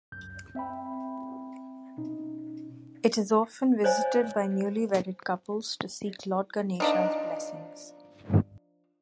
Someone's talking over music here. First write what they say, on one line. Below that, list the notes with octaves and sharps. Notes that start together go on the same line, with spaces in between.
It is often visited by newly wedded couples to seek Lord Ganesha's blessings.
C#2 F#2 G6
C4 E5 G5 B5
B2 C#4 D#4
C5 C#5 D#5 F5 G#5
F3 D4 D#4